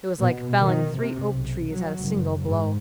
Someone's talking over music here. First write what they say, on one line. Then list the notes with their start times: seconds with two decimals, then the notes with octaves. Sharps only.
It was like felling three oak trees at a single blow.
0.20 B2
0.60 D#3
0.97 C3
1.31 B1
1.69 F#3
2.01 F#1
2.47 G#2